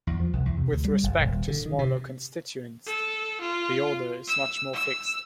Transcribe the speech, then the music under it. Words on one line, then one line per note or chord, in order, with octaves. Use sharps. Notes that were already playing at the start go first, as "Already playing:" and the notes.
With respect to smaller constituents, the order is much more fixed.
E2
F3
C2
E2
C3
D2
G3
F#1
D#1
D3
D#3
C3
A4
F4
E6
E6